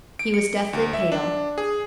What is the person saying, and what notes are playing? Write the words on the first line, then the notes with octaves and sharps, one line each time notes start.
He was deathly pale.
D7
C#7
D2
E5
D4
G#4